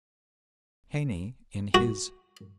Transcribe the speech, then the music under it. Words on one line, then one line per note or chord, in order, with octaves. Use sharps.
Heine in his.
F#4